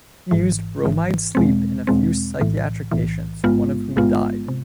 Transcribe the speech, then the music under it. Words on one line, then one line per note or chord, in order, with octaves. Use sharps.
He used bromide sleep in a few psychiatric patients, one of whom died.
G#1 G#2 E3
G#1 G#2 E3
E2 B2 G#3 C4
E2 B2 G#3 C4
B1 A2 E3
B1 A2 E3
A1 G#2 G#3 B3 F4
A1 G#2 G#3 B3 F4
C3